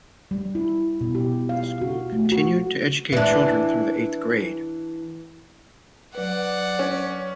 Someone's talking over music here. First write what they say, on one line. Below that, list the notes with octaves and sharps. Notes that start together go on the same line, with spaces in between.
The school continued to educate children through the eighth grade.
G3
E4
B2
G4
F5
F#4
A3
F#4
E3 D4
F#3 B4 D5 F#5
C#4